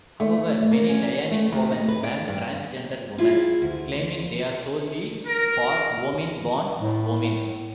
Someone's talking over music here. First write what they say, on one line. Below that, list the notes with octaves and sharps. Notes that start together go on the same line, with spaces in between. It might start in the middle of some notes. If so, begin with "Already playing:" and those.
However, many Dianic covens ban transgender women, claiming they are solely for womyn-born-womyn.
A3
A#3
C#4
A3
D2
D#4
B4
D5
G2
E4 F4 G#4
D2
A#4
A2